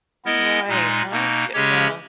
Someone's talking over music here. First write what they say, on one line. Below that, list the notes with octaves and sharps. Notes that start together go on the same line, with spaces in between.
Right, oh, g well.
B3 E4 A#4 D#5
A#2 G#3 D#4
B2 A#3 D#4
C#3 G#3 C#4 G4 C#5